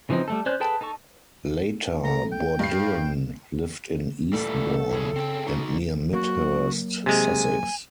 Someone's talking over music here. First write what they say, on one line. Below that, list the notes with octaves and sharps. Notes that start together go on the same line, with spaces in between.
Later Bourdillon lived in Eastbourne, and near Midhurst, Sussex.
C#3 E3 F3 C4 D#4
G3 A3 A4
C#4 C5 D5 F#6 G6
G#4 A4 B4 G5 A5
D#4 A4 A5 C#6
A3 A#5
G5
G2 C7
A#2 E3 G3 A3 A4
E2 A2 C#3 G#4
C4 C#4 G5
D#4 F#4
F#3 A#3 F#4
C3 G#3 G#5